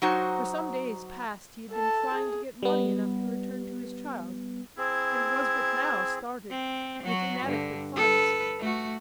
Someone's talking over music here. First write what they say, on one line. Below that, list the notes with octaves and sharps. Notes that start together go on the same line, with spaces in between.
For some days past he had been trying to get money enough to return to his child, and was but now started with inadequate funds.
F#3 D#4 F#4 C5
A4 A5
G#4
G3 B3
C4 E4 G#4
C4
F#3 F#4
G2 D3
A4 B4
A3 F#4